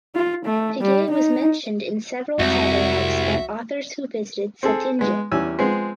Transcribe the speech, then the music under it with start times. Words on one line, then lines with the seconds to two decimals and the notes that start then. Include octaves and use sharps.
Piguet was mentioned in several travelogues by authors who visited Cetinje.
0.15 F4
0.46 A3
0.81 G3
1.11 D#4
2.39 C2 F2 G#3 C4 F#4 E5
4.63 C4 G#4 A4
4.99 G#3 B3
5.32 E2 G3 C#4 G#5 E6
5.58 F3 G#3 B3 C4 G#4